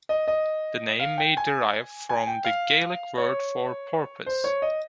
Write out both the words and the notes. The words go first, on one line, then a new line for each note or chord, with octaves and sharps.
The name may derive from the Gaelic word for porpoise.
D#5
D#5
F5
G5
G#5
G#5
G5
F5
C#5
C5
C#5
D#5